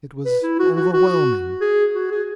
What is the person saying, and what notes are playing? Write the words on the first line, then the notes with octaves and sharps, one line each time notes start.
It was overwhelming.
B4
E4
F#4
F#4
F#4
G#4
F#4
G#4